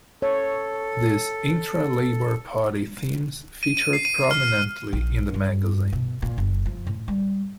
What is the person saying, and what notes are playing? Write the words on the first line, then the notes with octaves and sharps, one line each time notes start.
These intra-Labour Party themes featured prominently in the magazine.
A4 C#5
D#7
D#7
C7
D#7
F6
A#1
G2
B2
A#2
F#1
F3
A2
G3